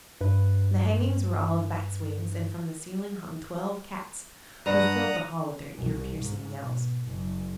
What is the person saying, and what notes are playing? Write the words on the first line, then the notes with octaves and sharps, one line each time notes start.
The hangings were all of bats' wings, and from the ceiling hung twelve cats, who filled the hall with their ear piercing yells.
G2 B4
G2 F#5 A#5 D#6
C2
G#2
B2
F#1